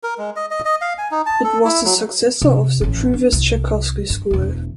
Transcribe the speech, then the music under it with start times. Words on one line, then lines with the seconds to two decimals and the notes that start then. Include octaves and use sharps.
It was the successor of the previous Tchaikovsky School.
0.03 A#4
0.18 G#3
0.36 D#5
0.51 D#5
0.65 D#5
0.81 F5
0.98 G#5
1.11 D#4
1.26 A5
1.44 A4
1.65 E4
1.85 F#3
2.42 C3
2.81 A1 C#4
3.14 D4
3.32 C2
4.10 G2
4.31 E1 D2